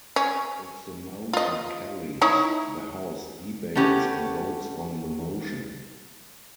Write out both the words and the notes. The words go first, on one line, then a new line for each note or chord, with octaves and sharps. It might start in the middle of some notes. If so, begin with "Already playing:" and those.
If the motion carries, the House debates and votes on the motion.
C#4
F4 D#5
D#4 E4 C#5
A3 B3 C#4 G4